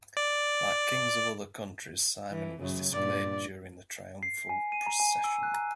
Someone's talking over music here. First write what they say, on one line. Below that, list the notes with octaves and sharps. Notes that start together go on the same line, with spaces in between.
Like kings of other countries Simon was displayed during the triumphal procession.
D5
E3
F#2 C#3
G2 A#2 D5
C7
C7
G#5
D#7
A#5
G#5
E6
F#6
A#5